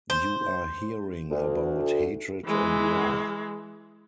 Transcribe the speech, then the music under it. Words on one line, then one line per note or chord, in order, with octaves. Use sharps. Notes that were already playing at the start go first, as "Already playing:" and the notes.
You are hearing about hatred and war.
C5
D2
E3 G#3